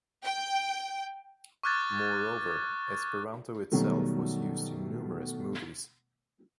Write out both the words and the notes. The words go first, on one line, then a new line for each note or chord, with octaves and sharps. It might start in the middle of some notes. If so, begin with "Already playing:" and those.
Moreover, Esperanto itself was used in numerous movies.
G5
C#6 D6 F6 F#6 G#6 A6
B2 D#3 F#3 G3 A3